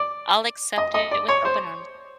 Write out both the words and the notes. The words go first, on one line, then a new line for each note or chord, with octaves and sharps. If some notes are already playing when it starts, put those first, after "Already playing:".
I'll accept it with open arms.
Already playing: D5
D#5
D#5
D5
C#5
C5